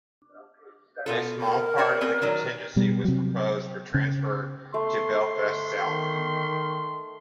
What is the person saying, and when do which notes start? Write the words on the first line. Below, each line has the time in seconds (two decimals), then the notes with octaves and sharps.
A small part of the constituency was proposed for transfer to Belfast South.
1.06 B2 F4 A4
1.41 A#4
1.78 D4 C5 C#5
2.01 C4 B4 G#5
2.22 D#3 F#3 D4
2.76 B2 G3
3.04 C3 F#3
3.94 C#3
4.74 A3 C6
5.79 D#3